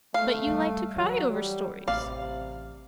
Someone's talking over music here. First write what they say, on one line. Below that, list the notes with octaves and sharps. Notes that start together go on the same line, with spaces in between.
"But you like to cry over stories?"
A3 F5
D#3 G3
E3 F#3 D#4
G3
A1 C3 D5 F5